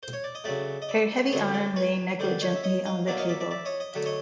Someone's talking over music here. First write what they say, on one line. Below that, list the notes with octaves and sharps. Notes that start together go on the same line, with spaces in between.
Her heavy arm lay negligently on the table.
C5
C#5
D5
D#5
C#3 F#3 A3 D5 E5
D#5
D5 E5
D3 F#3 A3 C#5 D#5
C5 D5
B4 C#5
D3 G3 B3 C5 D5
C#5 D#5
E5
C#5 D#5
D#5 F5
B2 F#3 A#3 D5 E5
D#5 F5
D5 E5
D5 E5
D5 E5
C#5 D#5
D#5
D3 F#3 A3 E5
C#5 D#5